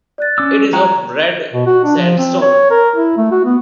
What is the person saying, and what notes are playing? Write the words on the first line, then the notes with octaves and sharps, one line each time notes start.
It is of red sandstone.
D5 F#6 A6
C#4 D6 E6
G#3 F#4 G5 A#5
C#5
B2
F#4
D4
F3
C4
C#5
A#4
E4
A3
F#4
B3